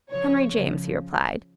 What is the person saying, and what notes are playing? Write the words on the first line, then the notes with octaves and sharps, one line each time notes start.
"Henry James," he replied.
C#3 F3 C#5
C#3 F3